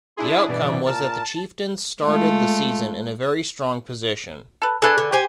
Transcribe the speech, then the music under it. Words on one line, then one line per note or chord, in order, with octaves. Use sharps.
The outcome was that the Chieftains started the season in a very strong position.
D4 E4 G#4 C6
G2 B2 E3 D5
A#2 A#4 A5
G#3 A3 F4
A4 B4
D4 G#4 A4 B4 G#5
D3
G4 C5 G#5